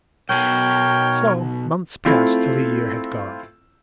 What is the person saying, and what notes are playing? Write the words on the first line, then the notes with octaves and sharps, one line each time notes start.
So months passed till a year had gone.
B1 B2 A#4 C#5 G5
A3 C4 E4 F4